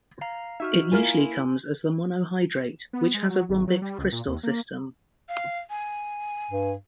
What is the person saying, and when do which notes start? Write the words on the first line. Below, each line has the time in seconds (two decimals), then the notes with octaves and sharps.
It usually comes as the monohydrate, which has a rhombic crystal system.
0.21 F5 A#5
0.60 D#4 F#4 E5 F6
0.92 A#3 E4 F4 A#4 F5 G#5
2.93 B3
3.14 G#3
3.30 F#3
3.49 G#1
3.68 F#3
3.82 G3
3.99 C#2
4.12 A#2
4.27 D#2
4.43 A#3
5.29 F5
5.70 G#5
6.51 G2